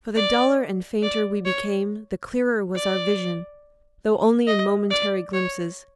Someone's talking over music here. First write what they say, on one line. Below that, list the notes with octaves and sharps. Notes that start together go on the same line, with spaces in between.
For the duller and fainter we became the clearer was our vision, though only in momentary glimpses.
D5
D5
C#5
D5
D#5
D5
C#5